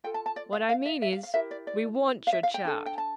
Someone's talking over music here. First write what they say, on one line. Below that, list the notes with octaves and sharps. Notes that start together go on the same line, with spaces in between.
What I mean is, we want your chart.
F4 A4 G5
A5
A5
D5
F5
F5
E5
E5
F5
F5
E4 G4 A#4 E5
D5
D5
F5
E5
F5
G5
D4 A4
G5
A5